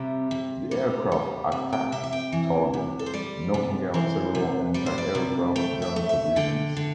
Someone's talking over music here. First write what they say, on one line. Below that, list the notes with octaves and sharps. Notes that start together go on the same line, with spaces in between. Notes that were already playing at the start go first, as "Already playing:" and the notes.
The aircraft attacked the target, knocking out several Anti-Aircraft gun positions.
Already playing: C3 G3 E5
C3
G3
G3
C3
G5
C3 E5
E5
G5
E3
C3
A4
C5
G3 D5
C3
E3 C5
C3
G3 D5
C5
D5
C3
A3 G5
E5
A3
E5
D3 G5
D3